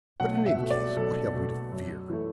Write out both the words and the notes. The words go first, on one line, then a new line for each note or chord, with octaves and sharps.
But in any case what have we to fear?
B1 F#5
E5
B2 A3
D5
B1 A4
B2 A3
F#2
E3 A3